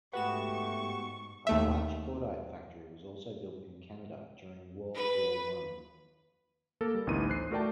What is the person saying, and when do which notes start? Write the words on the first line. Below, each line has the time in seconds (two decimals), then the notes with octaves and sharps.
A large cordite factory was also built in Canada during World War One.
0.13 G#2 A3 B3 F#4 G4 C#6 E7
1.47 D#2 A3 E5
4.94 B4
6.81 A#3 A4 A#4
6.94 G3
7.07 A1 D2 E3 B3 D#4 D#7
7.29 C5 F#6 C7
7.51 A3 F#4 A#4 D5 G5 A5